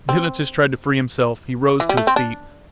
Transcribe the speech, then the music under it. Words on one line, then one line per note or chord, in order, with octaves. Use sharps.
The hypnotist tried to free himself; he rose to his feet.
C4
E3
G3
A3
C4
D4